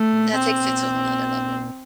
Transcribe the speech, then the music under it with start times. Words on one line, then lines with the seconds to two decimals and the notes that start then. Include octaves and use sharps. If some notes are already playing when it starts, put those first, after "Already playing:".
That takes it to a whole 'nother level.
Already playing: A3
0.35 C4